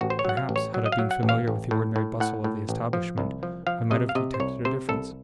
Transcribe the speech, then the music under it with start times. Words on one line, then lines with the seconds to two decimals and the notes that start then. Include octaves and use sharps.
Perhaps, had I been familiar with the ordinary bustle of the establishment, I might have detected a difference.
0.01 A1 F#4
0.10 C5
0.19 C#5
0.25 F#3 F#5
0.37 F5
0.49 A1
0.56 C#5
0.74 F#3
0.86 D#5
0.92 F5
0.99 F#3
1.11 F#5
1.23 A1
1.29 F5
1.48 A1
1.71 A2
1.96 A2
2.20 A2 F#5
2.44 A2
2.69 A1
2.93 F3
3.18 C2
3.43 F3
3.67 F3 F5
3.91 C3 D#5
4.09 F5
4.15 C3 D#5
4.34 C5
4.40 C2 C#5
4.65 C3 C5
4.89 C2 A4